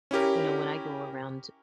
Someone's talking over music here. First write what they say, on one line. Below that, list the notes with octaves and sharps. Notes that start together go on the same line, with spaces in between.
you know, when I go around,
C#4 E4 G4 A#4